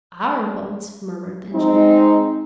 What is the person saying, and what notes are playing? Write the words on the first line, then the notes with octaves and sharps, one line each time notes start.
"Our boat?" murmured the engineer.
G#3 C4 D#4